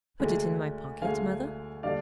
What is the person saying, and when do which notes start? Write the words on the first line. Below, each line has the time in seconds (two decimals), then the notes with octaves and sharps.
'Put it in my pocket, Mother.'
0.20 D2 D3 G#3
1.02 D2 D3 G#3 F5 G#5
1.83 D3 G3 D4 D5 F5